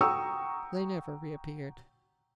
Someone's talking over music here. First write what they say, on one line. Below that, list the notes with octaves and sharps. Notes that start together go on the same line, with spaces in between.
They never reappeared.
F#5 G5 A#5 C#6 D#6 E6